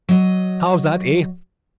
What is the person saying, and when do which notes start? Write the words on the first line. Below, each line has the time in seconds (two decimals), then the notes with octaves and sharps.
How's that, eh?
0.09 F#3 D#5